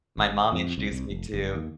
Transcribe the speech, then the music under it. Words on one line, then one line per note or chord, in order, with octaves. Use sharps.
my mom introduced me to.
G#1
F2
C2
C2
F1
F#1
D#2